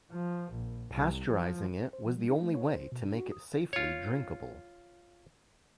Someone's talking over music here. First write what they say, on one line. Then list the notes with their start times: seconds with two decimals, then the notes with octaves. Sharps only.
Pasteurizing it was the only way to make it safely drinkable.
0.12 F3
0.52 A#1
0.92 C2
1.30 F3
1.93 C5
2.05 F3
2.17 G3
2.30 D#4
2.42 A3
2.55 C#5
2.71 C5
2.92 B2
3.06 D4
3.18 F#4
3.32 D#6
3.73 F4 C#5